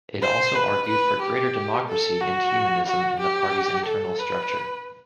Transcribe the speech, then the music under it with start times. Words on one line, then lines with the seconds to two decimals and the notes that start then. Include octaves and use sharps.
It also argued for greater democracy and humanism in the party's internal structure.
0.22 C5
0.55 B4
0.88 B4
1.22 G4
1.88 A4
2.20 F#4
2.87 F#4
3.20 G4
3.86 A4
4.19 B4